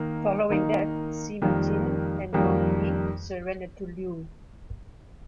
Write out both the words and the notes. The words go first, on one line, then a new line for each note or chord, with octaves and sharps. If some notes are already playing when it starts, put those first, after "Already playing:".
Following that, Sima Xin and Dong Yi surrendered to Liu.
Already playing: D#3 A#3 D#4
D#3 A#3 D#4
F2 D#3 G3 A#3
F2 D#3 G3 A#3